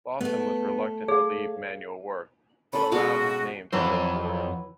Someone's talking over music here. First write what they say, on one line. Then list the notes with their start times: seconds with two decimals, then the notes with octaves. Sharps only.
Lawson was reluctant to leave manual work, but allowed his name to go forward.
0.21 A3 B3 A4
1.08 G#4 C#5 F5
2.73 C#4 A4 B5
2.92 B2 G#3 F#4 F5
3.73 F2 B2 E3 F#3 B4 C5